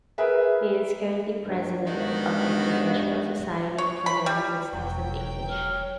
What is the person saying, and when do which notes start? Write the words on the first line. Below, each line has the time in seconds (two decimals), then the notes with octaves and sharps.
He is currently President of the International Society for the Linguistics of English.
0.18 G#4 A#4 B4 E5
1.45 G2
1.86 G2 D#3 G#3 B3 F#4
3.78 C#5
4.06 B5
4.26 G3
4.73 E1 F#3 G5
5.50 C#5 F6